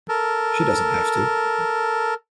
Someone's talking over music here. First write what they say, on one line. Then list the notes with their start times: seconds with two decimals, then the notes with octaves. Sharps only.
She doesn't have to.
0.09 A4 A#4